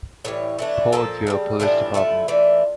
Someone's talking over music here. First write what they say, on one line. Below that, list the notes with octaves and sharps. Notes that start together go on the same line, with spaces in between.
Port Vue Police Dept.
A2 E3 G3 C#5
E3 A3 D4
A#2 F3 A#3 A4
C#3 E3 G3
A2 E3 G3 D4 F4
D3 A3 C#4 E4
E3 A3 D4